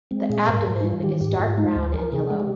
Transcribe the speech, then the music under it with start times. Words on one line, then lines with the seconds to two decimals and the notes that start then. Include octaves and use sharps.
The abdomen is dark brown and yellow.
0.11 G#3 C4
0.30 A#2 G#4
0.48 G#2 A#4
0.67 G#2
0.81 D#4
0.84 G3 F4
1.03 D#3 G4
1.21 G#2 G4
1.40 G#2 F4
1.58 G#3 D#4
1.76 D2
1.94 F3 A#4
2.12 C3 G#4
2.30 G#3
2.40 G4